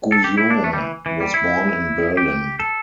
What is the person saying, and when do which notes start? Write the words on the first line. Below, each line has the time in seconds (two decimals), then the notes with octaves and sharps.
Guillaume was born in Berlin.
0.12 A4
0.24 G4
0.37 E4
0.50 D4
0.64 A3
0.73 G3
0.78 E3
1.06 E3
1.20 G3
1.34 E4
2.17 G4
2.60 A4